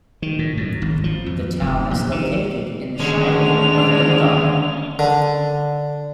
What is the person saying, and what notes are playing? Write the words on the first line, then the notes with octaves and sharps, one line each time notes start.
The town is located in the Shire of Yilgarn.
D#3
A2
F#2
G#1
F3
F2
F1
A#1
D#3
D#2 D3 G#3 C#4 D4 F7
D3